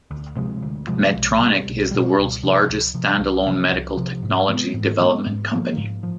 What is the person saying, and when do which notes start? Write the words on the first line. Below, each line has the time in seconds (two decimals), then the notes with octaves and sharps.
Medtronic is the world's largest standalone medical technology development company.
0.11 D2
0.36 C3 F3 G#3
0.62 D2
0.88 C3 F3 G#3
1.14 B1
1.40 B2 G3
1.65 B1
1.91 B2 G3
2.17 C#2
2.43 C3 F3
2.69 C#2
2.94 C3 F3
3.20 C2
3.46 C3 F3
3.72 C2
3.97 C3 F3
4.23 G#2
4.49 E3 G#3 B3
4.74 G#2
5.00 E3 G#3 B3
5.26 G#2
5.51 F3 A#3
5.77 G#2
6.03 F3